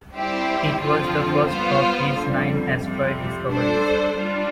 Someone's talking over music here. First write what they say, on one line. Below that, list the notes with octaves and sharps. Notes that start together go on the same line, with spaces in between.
It was the first of his nine asteroid discoveries.
G3 C4 E4 G4 C5
F2 D3 F3 C4 F4
G3 B3 F4 C5
F2 D3 G3
F2 C3 G3
G3 D4 A4 C5
G3 D4 F4